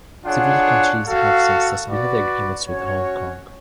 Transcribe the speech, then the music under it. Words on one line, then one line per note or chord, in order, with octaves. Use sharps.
Several countries have since suspended the agreements with Hong Kong.
D4 F4 G#4 C#5 F#5
F#4 A4 F5
F#4 B4 D5
C#4 F#4 C#5